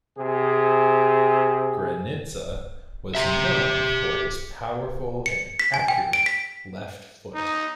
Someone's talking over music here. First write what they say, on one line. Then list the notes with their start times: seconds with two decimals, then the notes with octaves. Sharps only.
Granitza was known for his powerful and accurate left foot.
0.17 C3 G#4
3.15 G4 E5
5.26 C#7
5.60 B6
5.74 G#5
5.88 G5
6.13 D7
6.26 B6
7.34 D#4